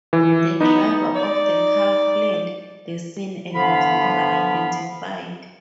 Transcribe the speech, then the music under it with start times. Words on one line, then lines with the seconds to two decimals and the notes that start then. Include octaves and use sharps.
The driver of the car fled the scene and was never identified.
0.13 E3
0.61 B3 D#4
1.15 D5
3.53 G2 D3 F3 B3 F5 B5